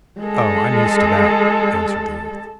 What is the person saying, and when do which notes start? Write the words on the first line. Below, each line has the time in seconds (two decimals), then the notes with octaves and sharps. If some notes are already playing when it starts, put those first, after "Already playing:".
'Oh, I am used to that,' answered the youth.
0.20 G#3 A4